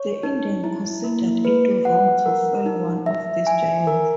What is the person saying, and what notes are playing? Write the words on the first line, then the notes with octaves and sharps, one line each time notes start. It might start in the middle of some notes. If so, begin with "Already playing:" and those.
The Indians considered it wrong to fell one of these giants.
Already playing: C#5
D#4
E4
A#3
B4
F#5
A#4
D#4
E5
G#5
A#4